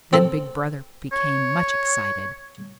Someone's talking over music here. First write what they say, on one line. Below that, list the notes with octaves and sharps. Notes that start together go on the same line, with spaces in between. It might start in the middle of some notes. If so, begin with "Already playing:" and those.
Then Big Brother became much excited.
C4 A4
C#5